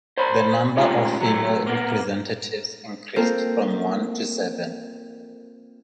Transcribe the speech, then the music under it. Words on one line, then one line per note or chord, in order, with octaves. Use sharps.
The number of female representatives increased from one to seven.
C5 D5 B5 C6
G#2 C#3 A3 F4 G4 G#4
F#3 A3
A#3 B3
A#3 C4 F4 A4 A#4 C5